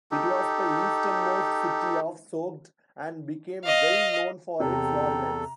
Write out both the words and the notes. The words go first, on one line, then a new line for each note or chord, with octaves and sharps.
It was the easternmost city of Soghd, and became well known for its walnuts.
D#4 G4 A4
D#5 F5
E2 C3 A4 G5 A#5